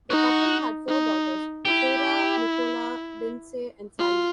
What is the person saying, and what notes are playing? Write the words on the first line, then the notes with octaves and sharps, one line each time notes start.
The couple had four daughters: Sarah, Nicola, Lindsay and Sally.
D#4 F#4
D#4
E4 G4
F4